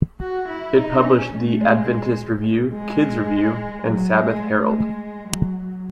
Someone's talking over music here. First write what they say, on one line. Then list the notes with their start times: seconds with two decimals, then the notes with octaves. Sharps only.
It published the "Adventist Review, Kids Review, and Sabbath Herald".
0.20 F#4
0.48 E4
0.76 D#4
1.05 C#4
1.33 A3
1.61 G#3
2.73 G#3
3.86 F#3
4.15 G#3
4.43 A3
4.71 G#3
5.28 F#3